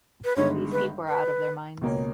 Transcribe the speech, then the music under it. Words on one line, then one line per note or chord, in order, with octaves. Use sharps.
These people are out of their minds.
B4
G1 G2 D#3 G#3 D#4 C#5
B4
B4
C#2 B2 A#3 C#4